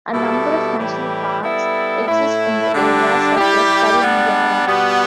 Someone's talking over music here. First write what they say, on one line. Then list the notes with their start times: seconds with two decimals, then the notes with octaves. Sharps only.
A number of national parks exist in the area such as Karimunjawa.
0.13 B2 G3 E4 A4
0.78 A2 E3 G3 E4 G4
1.43 G3 B3 E4 A4
2.08 A2 A3 E4
2.73 D3 G3 D4
3.37 G3 E4 G4
4.02 G3 B3 D4
4.67 B2 G3 B3